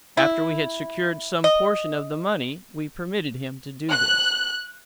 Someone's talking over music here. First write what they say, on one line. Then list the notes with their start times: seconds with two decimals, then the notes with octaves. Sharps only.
After we had secured some portion of the money we permitted him to do this.
0.17 E4
1.44 D#5
3.90 F#6